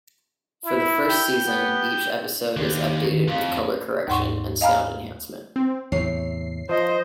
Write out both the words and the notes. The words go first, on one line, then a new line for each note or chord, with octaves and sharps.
For the first season, each episode is updated with color correction and sound enhancement.
E4
G4 G5
B3
D#2 G4
D#3
F2 F5
D#2 G#2 F#5 C6 C#6
D#5 F5 G#5 A#5 B5 F6
C4
E2 A2 C3 C#5 C7
F3 C5 D#5